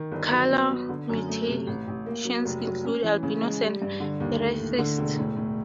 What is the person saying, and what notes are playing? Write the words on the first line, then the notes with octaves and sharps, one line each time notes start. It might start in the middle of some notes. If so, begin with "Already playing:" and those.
Colour mutations include albinos and erythrists.
Already playing: D#3
G1
F#3
B3
B3
D3
F#2
A3
C3
A1
A1
A#3
F#3
F1
F#3
C#4
E3
C#3
G#3
G3
G2
D3
D#2
A3
A2
D3
E1
A2
A2